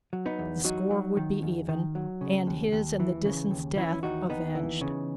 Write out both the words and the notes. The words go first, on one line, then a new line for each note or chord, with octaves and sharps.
The score would be even, and his and the Disans' death avenged.
F#3
B3 D#4
E2
F#3 D#4 F#4
F#3
D#3
E2
D#3
F#3
C#3
D#2
D#2
E3
C#3
D#2
E3 C#4 E4
D#2 D#4 F#4
D#2 B3 D#4
E3
C#3